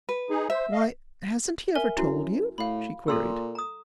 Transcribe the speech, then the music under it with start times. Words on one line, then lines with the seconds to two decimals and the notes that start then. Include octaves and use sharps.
"Why, hasn't he ever told you?" she queried.
0.09 B4
0.30 D#4 G#4
0.50 C5 E5
0.72 D#5 F5
1.76 A#4 E5 G#5
1.97 F#2 E4 F#4
2.58 A2 F5 B5
3.08 A#2 A4 C6 E6
3.55 A#5 D#6